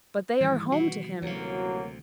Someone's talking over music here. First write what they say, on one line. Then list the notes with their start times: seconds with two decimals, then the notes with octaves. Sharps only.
But they are home to him!
0.40 G#2 D#3 E3 G3
0.72 B2 F#4
1.22 A1 D2 C3 F#3 A#3 F#4